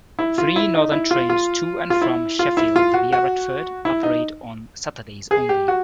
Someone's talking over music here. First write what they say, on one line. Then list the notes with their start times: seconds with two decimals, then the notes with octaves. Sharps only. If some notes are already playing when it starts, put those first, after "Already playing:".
Three Northern trains to and from Sheffield via Retford operate on Saturdays only.
0.19 E4
0.38 F4
0.56 E4
0.75 D#4
0.92 E4
1.11 F4
1.30 F4
1.90 F4
2.02 E4
2.39 F4
2.57 E4
2.76 F4
2.94 F#4
3.13 F#4
3.85 E4
4.03 D#4
5.31 G#4
5.49 G4
5.68 F#4